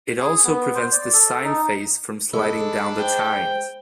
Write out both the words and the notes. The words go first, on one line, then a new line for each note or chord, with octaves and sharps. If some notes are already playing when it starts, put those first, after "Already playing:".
It also prevents the sign face from sliding down the tines.
G#4
B3
C5
D5
A4
D#4
G#3 D4 A4 B5
C5 G5